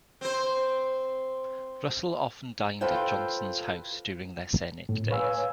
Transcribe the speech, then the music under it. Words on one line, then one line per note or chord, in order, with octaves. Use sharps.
Russell often dined at Johnson's house during their Senate days.
C4 C5
F4 A4 B4 C5 G5
A2
B4 C#5 F5 G#5 E6